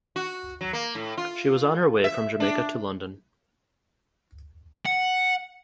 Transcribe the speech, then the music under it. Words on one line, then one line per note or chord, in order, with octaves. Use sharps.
She was on her way from Jamaica to London.
F#4
F#3
A#3
A2
F4
E5
D4
F#5